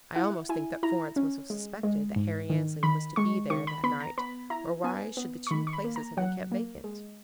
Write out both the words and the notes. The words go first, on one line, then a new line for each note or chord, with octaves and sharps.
I almost think that Florence must have suspected that Harry Annesley was to be there that night, or why should the two places have been kept vacant?
E4 F#5
E4 G#5
E4 A#5
C#4
G#3
G#3
G#2
D#3
D#3 B5
G#3 C#6
D#3 C#6
B5
B3 B5
A#5
B3 B5
E4 A#5
B3 G#5
B3
C#6
D#3 B5
C#6
B5
A#3
A#5
F#3 F#5
A#3
G#3